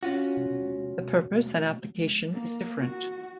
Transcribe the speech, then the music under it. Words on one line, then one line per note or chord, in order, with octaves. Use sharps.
The purpose and application is different.
C#4 F4 F#4
A#3
F#4